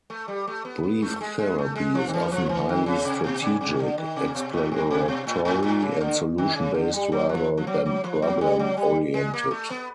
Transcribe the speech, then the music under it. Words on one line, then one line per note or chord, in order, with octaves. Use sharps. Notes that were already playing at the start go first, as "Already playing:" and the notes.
Brief therapy is often highly strategic, exploratory, and solution-based rather than problem-oriented.
A3
G3
A3
B3
B3
A3
G#3
G#3
A3
G#3
F3
D#3
E3
F3
E3
D#3
C#3
C3
B2
C3
C3
D#3
D3
D#3
C3
B2
A2
G2
C3
B2
A2
A2
A2
C#3
D3
D#3
C#3
D3
G3
F#3
F3
F3
F#3
F#3
F3
F#3
G3
F#3
G3
G#3
A#3
A3
B3